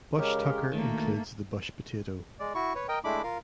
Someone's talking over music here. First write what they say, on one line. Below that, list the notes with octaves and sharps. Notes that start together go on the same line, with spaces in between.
Bush tucker includes the bush potato.
C#3 G#3 G4 A#4
D2 D#3 A3 A#3
G#3 D5
E4 F#4 C#6
B4 C#5
A#4 D#5 G5
G#3 A3 D4 E4 B5 D6
F4 A#4 F5